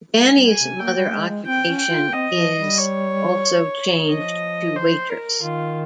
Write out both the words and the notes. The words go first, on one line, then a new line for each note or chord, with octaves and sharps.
Danny's mother occupation is also changed to waitress.
G#3
G3
G#5
C3
A#3 G5
G3
A#3
G#3
G#3
C4 G5
C#4
G5
F4
C4 D#5
F3
G3
C#5
F3 D#5
C5
A#4
D#3 F4